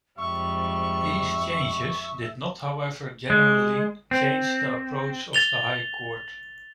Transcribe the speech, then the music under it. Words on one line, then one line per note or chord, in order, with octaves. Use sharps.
These changes did not however generally change the approach of the High Court.
F2 G#2 G3 E5 C#6
G#3
C4
A6 F7 G7